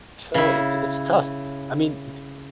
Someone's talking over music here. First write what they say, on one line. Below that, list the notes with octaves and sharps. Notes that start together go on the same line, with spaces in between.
So it's it's tough. I mean, d
C#3 E4